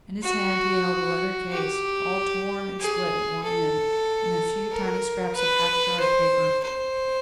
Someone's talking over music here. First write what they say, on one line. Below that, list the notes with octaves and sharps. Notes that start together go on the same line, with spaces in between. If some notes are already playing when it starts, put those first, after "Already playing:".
In his hand he held a leather case, all torn, and split at one end, and a few tiny scraps of half-charred paper.
F#4
G4
G#4
A4
A#4
B4
C5
C5